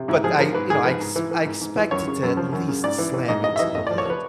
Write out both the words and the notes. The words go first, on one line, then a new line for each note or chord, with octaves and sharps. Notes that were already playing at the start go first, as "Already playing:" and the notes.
But I you know, I ex I expected to at least slam into the hood.
Already playing: C3
G#2 E4
F3 G#4
F3 A#4
G#2 B4
G#2 G#4
F3 B4
G#2
E3
E3
G#2
G#2
E3
F#2 C#5
C#3
F#2
F3
F#2
C#3
G#2 D5
E3
E3
G#2 D#5
G#2 D#5
E5
E3 D#5
A2 D#5
D5
F3
C#5
F3 B4